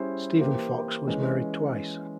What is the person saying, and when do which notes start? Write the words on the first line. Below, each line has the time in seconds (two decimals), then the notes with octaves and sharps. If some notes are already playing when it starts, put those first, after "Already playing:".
Stephen Fox was married twice.
Already playing: G3 C#4 E4 G#4 C5
0.39 E3 A#3 E4 G4 C5
1.07 E3 G#3 C#4